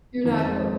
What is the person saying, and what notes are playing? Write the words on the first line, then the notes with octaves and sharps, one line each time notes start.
you're not going
F2 D#3
G#3